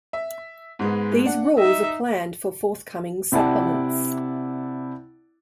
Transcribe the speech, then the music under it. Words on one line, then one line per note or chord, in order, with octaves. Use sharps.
These rules are planned for forthcoming supplements.
E5
G#2 G#3 B3
D4 F#5
D#4 D#5 E5
C3 E4 D5 F#5 A5